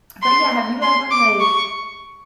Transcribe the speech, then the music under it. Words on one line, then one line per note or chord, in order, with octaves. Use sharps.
but, yeah, have you ever, like,
C6
C6
D6
C#6